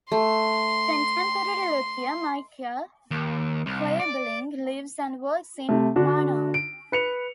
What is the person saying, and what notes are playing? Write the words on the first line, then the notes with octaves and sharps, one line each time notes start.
Contemporary luthier Michael Koeberling lives and works in Murnau.
A3 C6
D#2
C2
D5
C3 A3
D3 D4 F#4
D7
B4 C#7 F7